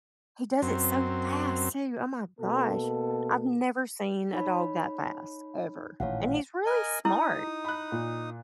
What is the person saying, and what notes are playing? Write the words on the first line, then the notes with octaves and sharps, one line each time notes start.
He does it so fast too, oh my gosh. I've never seen a dog that fast, ever, and he's really smart.
F#2 C4
B2 A#3 A4
D#4 C#5 B5
A1 A#2 D#3 C#5 F5 F#5
A#4 D#5 G#5
D#4 E4 D#6
B5 F#6
A#2